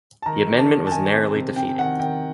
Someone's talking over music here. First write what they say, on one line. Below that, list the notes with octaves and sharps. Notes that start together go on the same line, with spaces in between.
The amendment was narrowly defeated.
A5
D#3 A#5
D#3
A5
D#3
A5
D#3 G#5
C4
C3
C3 G5
D#3 F#5
D#3 G5